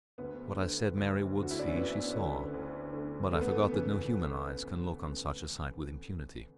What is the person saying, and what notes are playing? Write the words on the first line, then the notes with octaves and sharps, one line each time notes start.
What I said Mary would see she saw, but I forgot that no human eyes can look on such a sight with impunity.
D2 B3
D3
D2
D3
F#4
E4
D4
C#4
D2 B3
D3
D2
D3
G#1 A3
B3
A3
C#3 E3